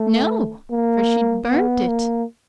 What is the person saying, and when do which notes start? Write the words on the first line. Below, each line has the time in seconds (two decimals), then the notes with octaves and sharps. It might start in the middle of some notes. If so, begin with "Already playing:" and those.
'No! for she'd burnt it.'
Already playing: A3
0.71 A#3
1.50 B3
1.88 A#3